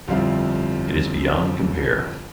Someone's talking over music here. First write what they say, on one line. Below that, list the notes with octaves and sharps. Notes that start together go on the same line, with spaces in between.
It is beyond compare.
G1 F2 G3 C4 E4 F5